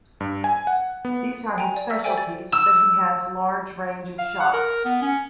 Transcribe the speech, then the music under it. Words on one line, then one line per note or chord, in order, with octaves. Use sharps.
These are his specialties, but he has large range of shots.
G2
G#5
F#5
B3
G5 G#5 A#5
D5
E5 E6 F6
A4 C5 D5 E5 G5 G#5
A6
E6
F5
F#5
A#4
B3
C#4